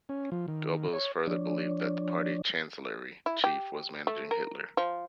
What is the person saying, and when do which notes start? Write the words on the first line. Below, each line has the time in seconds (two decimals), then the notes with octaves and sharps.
Goebbels further believed that the Party Chancellery chief was managing Hitler.
0.09 C#4
0.32 F3
0.48 D#3
0.93 C#5
1.27 F3 D4 C#5 D5
3.26 E4
3.44 G4
4.07 A3
4.31 A#4
4.77 F3